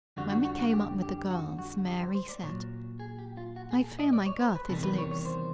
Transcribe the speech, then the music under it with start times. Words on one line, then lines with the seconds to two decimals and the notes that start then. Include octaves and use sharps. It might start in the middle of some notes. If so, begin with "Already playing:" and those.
When we came up with the girls, Mary said: "I fear my girth is loose."
0.17 F2 D3 G3 F#4
0.31 F#4
0.45 F#4
0.59 F#4
0.73 G4
1.02 G4
1.31 F#4
1.59 F#4
1.87 G4
2.01 C5
2.15 C5
2.29 D5
2.43 A#2 F#3 C#5
3.00 G#4
3.19 G4
3.37 F4
3.56 F#4
3.71 G#4
3.84 A4
3.99 D#5
4.13 D5
4.26 C#5
4.41 C5
4.55 B4
4.69 E2 C3 D#3 G3 A4
4.84 B4
4.98 C#5
5.11 C#5
5.25 C5